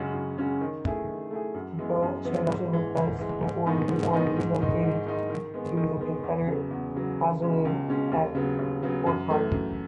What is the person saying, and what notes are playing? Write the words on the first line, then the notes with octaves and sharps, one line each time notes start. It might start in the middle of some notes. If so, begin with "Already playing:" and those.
Both generals' busts were therefore relocated to the Confederate Monument at Forsyth Park.
Already playing: F#2 C#3 G#3 C#4 F#4
F#2
C#3 G#3 C#4 F#4
D#3
A3 E4 G#4
D#3
A3 E4 G#4
F#2
E3 G#3 B3
F#2
E3 G#3 B3
G#2
E3 G#3
G#2
E3 G#3
G#2
D#3 G#3 B3 D#4
G#2
D#3 G#3 B3 D#4
G#2
D#3 G#3 D#4
G#2
D#3 G#3 D#4
D#3
G#3 B3
D#3
G#3 B3
E2
C#3 F#3 B3
E2
C#3 F#3 B3
C#2
B2 G#3 C#4
C#2
B2 G#3 C#4
D#2
C#3 F#3 B3
D#2
C#3 F#3 B3
F#2
E3 A3
F#2